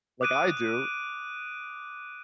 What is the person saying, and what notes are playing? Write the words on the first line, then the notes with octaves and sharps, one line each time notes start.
Like I do.
D6 D#6 F#6 D7 D#7